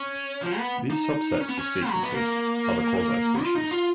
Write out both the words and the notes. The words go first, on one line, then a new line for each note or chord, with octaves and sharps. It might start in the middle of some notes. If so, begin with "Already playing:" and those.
These subsets of sequences are the quasispecies.
Already playing: C#4
F3
B3
D#4
C#4
B3
C#4
F#3
B3
A#3
F4
D#4
F4